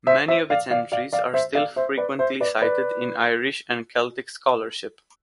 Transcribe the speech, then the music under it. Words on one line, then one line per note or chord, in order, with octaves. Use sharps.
Many of its entries are still frequently cited in Irish and Celtic scholarship.
C5 E5
C5 E5
D5 F5
D5 F5
D5 F5
D5 F5
C5 E5
D5 F5
C5 E5
B4 D5
C5 E5
B4 D5
B4 D5